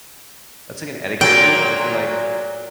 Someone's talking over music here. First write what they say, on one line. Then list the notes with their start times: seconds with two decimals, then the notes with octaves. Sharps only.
that's, like, an etiquette rule, if you're, like
1.21 A#2 F#3 A#3 G5